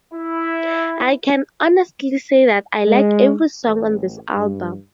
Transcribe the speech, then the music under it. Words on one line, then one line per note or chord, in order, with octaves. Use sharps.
I can honestly say that I like every song on this album.
E4
G#3
A1
G2